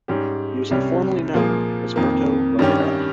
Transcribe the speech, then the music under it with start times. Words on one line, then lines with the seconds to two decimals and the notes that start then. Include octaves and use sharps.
He was informally known as Berto Lardera.
0.08 G#2 G3 C#4 G4
0.71 C2 C3 G3 C#4
1.34 A#2 F3 A#3 F4 G#4
1.96 F2 D#3 A#3
2.59 G2 D#3 G3 C#4 G4